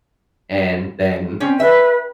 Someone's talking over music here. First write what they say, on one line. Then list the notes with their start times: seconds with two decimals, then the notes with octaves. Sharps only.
and then
1.40 C4 C#4
1.60 B4 E5